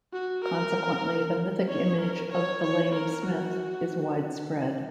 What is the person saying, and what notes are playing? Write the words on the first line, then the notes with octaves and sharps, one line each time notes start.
Consequently, the mythic image of the lame smith is widespread.
F#4
A#4
C#5
A#4
C#5
C#5
A#4
F#4